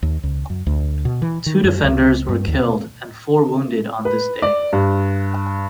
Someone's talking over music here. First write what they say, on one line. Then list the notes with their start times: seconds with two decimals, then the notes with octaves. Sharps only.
Two defenders were killed and four wounded on this day.
0.03 D#2
0.24 C#2
0.50 F#2
0.67 D2
1.05 B2
1.22 E3
1.46 D#3
1.64 F#2
1.84 C#2
2.29 G2
2.48 D#2
2.60 B2
4.05 B4
4.42 D5
4.73 G2